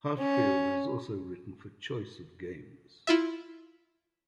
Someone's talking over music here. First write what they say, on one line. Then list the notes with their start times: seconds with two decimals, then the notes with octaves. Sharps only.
Heartfield has also written for Choice of Games.
0.19 C#4
3.07 E4 F4 E5